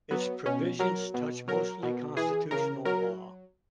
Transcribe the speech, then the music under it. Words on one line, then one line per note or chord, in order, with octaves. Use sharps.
Its provisions touch mostly constitutional law.
F#3 B3
B2 C#4
F#3 A#4
B2
F#3 A#4
B2
E3 G#4
C#3 A#4
F#3 A#4